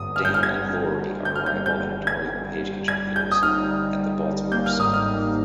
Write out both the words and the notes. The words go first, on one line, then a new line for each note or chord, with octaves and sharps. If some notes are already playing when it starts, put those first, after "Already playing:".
Dan and Lorie are rival editorial page contributors at the "Baltimore Sun".
Already playing: G1 G2 D#6
G1 F6
G6
F6
G1 G#6
G2
G2
G1 G6
F6
G6
G3
G6
G1
G3 G#6
G1
G1
G3 G#6
G3 G6
D#6
D#4 F6
G3
G3
G3
A#3 G6
F6
G#2 D#6
F6
G3